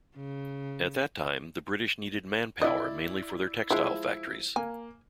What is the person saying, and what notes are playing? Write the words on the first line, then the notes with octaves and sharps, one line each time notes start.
At that time, the British needed man-power mainly for their textile factories.
C#3
E4 D5 D#5
F3 G#3 E4
A#3 G#5